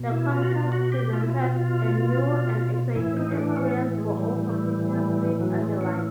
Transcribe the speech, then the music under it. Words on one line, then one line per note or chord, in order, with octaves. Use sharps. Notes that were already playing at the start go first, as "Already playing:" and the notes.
The contest presented a new and exciting experience for all competing Sweet Adelines.
Already playing: B2
E4
F4
F#4
F4
F#4
G4
F4
E4
F4
A2 E3 E4
D#4
C#4
D4
C#4
G#3
G3
G3
F#3
G#3
C#4